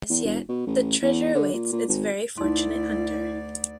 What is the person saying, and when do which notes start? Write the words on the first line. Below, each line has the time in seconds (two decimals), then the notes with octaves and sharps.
As yet, the treasure awaits its very fortunate hunter.
0.10 E2
0.25 F1
0.48 B2
0.66 A1
1.02 E2
1.35 D3
1.53 A#2
1.72 A#2
1.88 G#1
2.38 D2 D#4 E4 D5 C6